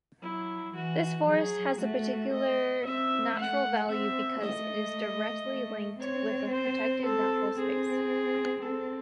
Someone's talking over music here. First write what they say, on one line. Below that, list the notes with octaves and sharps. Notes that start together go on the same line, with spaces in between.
This forest has a particular natural value because it is directly linked with a protected natural space.
F#3 E4
E3 F#4
F#3 G#4
A3 F#4
D#5
C4 E5
A3 F#5
C4 E5
A3 D#5
A3
C4 C#5
C5
A4
C4 G#4
C4 A4